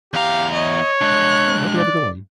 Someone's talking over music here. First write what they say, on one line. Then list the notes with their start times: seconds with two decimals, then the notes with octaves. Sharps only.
Yeah, hope you have a good one.
0.14 E2 G4 F5 A#5
0.54 C#5 D#5
1.01 G#3 D4 F#6
1.77 D5